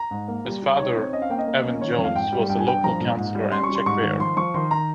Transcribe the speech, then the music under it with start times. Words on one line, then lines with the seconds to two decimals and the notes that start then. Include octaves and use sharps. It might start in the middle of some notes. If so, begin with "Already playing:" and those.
His father, Evan Jones, was a local councillor and checkweigher.
Already playing: A#5
0.11 G#2
0.28 A#3
0.45 G3
0.62 G3
0.79 D#4 C#5
0.96 C4
1.13 C#4 D#5
1.22 F5
1.30 A#3 G5
1.38 D#5
1.47 A#3
1.64 C#4
1.81 D#3 C#5
1.93 C#5
1.98 F2
2.04 F5
2.16 G#2 G5
2.33 G3
2.50 G2 G5
2.59 G#5
2.67 G2 G5
2.84 F3 A#5
3.01 A#2
3.17 G#2
3.35 G3
3.52 C#4 C6
3.63 C#6
3.69 G3
3.75 C6
3.86 G#2 C#6
4.03 D#3
4.20 F3 C6
4.37 F3 C#6
4.54 D#3 C6
4.71 D#3 A#5